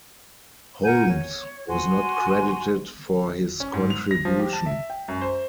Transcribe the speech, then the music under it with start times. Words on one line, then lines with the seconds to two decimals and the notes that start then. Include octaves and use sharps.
Holmes was not credited for his contribution.
0.85 A#4 F#5 G#5 G6
1.08 C#5
1.68 F#4 G#5 C6
3.60 C#4
3.74 G#2
3.90 F7
4.11 A#6
4.25 F3
4.39 G4
4.53 A5
4.66 E5
4.90 G5
5.08 F#2
5.21 C5